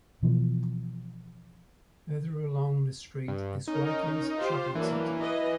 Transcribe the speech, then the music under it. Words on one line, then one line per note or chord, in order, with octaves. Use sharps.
Further north along the street is Whiteleys shopping centre.
B2 E3 F3
G2
C#4 D#4 A#4
F4 G4 C5
E3 F#3 A#3 D4
B4 D#5